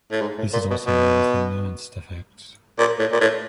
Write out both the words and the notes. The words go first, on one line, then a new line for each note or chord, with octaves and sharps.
This is also known as the Nernst effect.
A2
G#2
A2
A#2
B2
B2
A#2
A2
A#2
A2